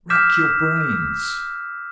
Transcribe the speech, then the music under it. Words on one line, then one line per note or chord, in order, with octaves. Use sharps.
Rack your brains!
D6 E6 F6 G6 B6 E7